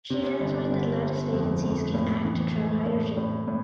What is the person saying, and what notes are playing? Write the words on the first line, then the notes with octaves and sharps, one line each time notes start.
She identified that lattice vacancies can act to trap hydrogen.
C3
G1
G1
G1
F2
F2
A2
E3
A3
A2
A2
A2